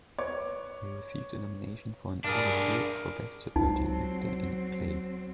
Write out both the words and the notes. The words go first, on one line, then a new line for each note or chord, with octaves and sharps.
He received a nomination for an Olivier for Best Supporting Actor in a Play.
B4 C#5 D6
G2 D4 G#4 A#4 A6
C#2 F#3 C4 D#4